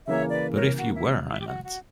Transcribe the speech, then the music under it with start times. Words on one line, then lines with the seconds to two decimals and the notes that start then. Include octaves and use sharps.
But if you were, I meant.
0.07 C#3 E3 A#3 C#5 E5
0.31 B4 D5
0.54 A#4 C#5
0.77 F#4
0.94 E4
1.29 E4
1.39 G4
1.47 F#4
1.64 F#4